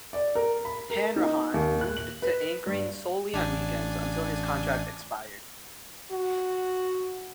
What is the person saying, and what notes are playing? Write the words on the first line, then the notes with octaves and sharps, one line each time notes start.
Hanrahan moved to anchoring solely on weekends until his contract expired.
D5
A#4
B5
A#4
D#4
D#2
F#6
F#7
B4
G2
A1 D4 G#5
F#4